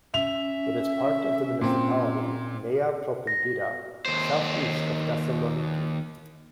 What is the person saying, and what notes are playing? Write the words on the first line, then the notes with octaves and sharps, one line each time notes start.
It is part of the municipality Nea Propontida, southeast of Thessaloniki.
C#4 E5 F7
A#2 C4
A#6
D#2 C5